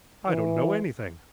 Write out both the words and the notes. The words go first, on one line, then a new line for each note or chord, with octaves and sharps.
I don't know anything.
E3